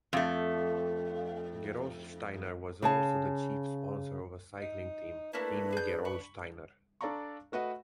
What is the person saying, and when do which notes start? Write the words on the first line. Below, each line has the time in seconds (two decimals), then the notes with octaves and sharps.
Gerolsteiner was also the chief sponsor of a cycling team, Team Gerolsteiner.
0.13 F2 A3
2.82 C#3 G#4 A5
4.61 D#4
5.33 A3 A#3 D4 E4 B4
5.72 G#4 G6
6.05 B5 C#6
7.01 D4 A4 D5 F5 A#5 C#6
7.52 A3 F#4 B4 D#5 F#5